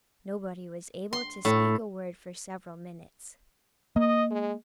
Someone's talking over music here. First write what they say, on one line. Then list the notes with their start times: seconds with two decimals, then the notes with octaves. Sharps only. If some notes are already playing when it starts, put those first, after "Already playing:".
Nobody was able to speak a word for several minutes.
1.13 C6
1.45 A2
3.96 A#3 D#5
4.31 G#3